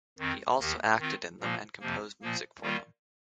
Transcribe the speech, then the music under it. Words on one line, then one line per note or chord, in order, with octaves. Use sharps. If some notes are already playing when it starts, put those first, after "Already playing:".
He also acted in them and composed music for them.
F2 D#3 C4
D#2 D#3 A#3 G4
D#3 C4 F4
A#2 F3 A#3
F2 C3 F3 A#3
A#2 F3 A#3
D#3 G3 A#3 F4